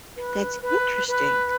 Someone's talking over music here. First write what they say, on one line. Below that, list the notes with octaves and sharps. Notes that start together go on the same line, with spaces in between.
That's interesting.
B4
B4
B4